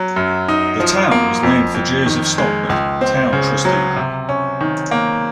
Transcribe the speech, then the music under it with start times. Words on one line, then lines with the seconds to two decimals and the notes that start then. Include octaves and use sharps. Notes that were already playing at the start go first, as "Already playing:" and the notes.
The town was named for Joseph Stockham, town trustee.
Already playing: F#3
0.16 F#2
0.48 D#4
0.80 F3
1.11 A#3
1.43 F2
1.74 F2
2.06 D#3
2.38 G#3
2.69 C#2
3.01 C4
3.33 C#3
3.65 F#3
3.96 C3
4.29 C#4
4.61 D#3
4.91 A#3